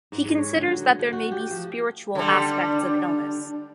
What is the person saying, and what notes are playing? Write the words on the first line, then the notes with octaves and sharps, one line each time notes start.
He considers that there may be spiritual aspects of illness.
G#2
G#3
C#5
D3
F#3
G#3
A3
F#4
G4
F3
D3 G3 D4